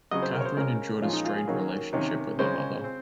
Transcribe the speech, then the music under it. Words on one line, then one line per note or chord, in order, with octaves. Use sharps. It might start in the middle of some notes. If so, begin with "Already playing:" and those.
Katharine endured a strained relationship with her mother.
C#3 F#3 C4 D#5
C5
A#4
C#5
C5
C#3 G#3 C#4 A#4
A#2 F3 G#3 C#4 F4
D#4
F4
G#4
D#3 F#3 A#3 C#4
C3 D#3 A#3 C#4
C#3 G#3 C#4 C5
C4